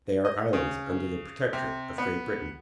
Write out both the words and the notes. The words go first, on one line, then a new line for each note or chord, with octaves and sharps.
"They are islands under the Protectorate of Great Britain."
D#5
C#3
C3
B3